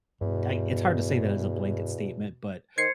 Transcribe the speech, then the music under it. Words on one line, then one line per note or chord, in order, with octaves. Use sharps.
I, it's hard to say that as a blanket statement, but
E2 G2 B2 B3
D#3 C5 G#6 C7 C#7